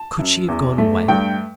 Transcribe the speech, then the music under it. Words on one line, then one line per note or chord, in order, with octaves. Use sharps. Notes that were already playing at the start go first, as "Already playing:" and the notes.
Could she have gone away?
Already playing: A5
F#2
E2
A3
G2 G5